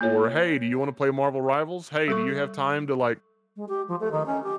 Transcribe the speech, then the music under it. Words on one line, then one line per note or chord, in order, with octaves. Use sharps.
Or, "Hey, do you wanna play Marvel Rivals? Hey, do you have time to, like,
A#3 F4 C#5
G3 A4 C#6
G#3
G4
F3
A3
D#3
C#4
G4